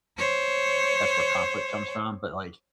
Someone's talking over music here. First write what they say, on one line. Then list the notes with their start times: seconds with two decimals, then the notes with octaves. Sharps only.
that's where conflict comes from, but like
0.18 C5 C#5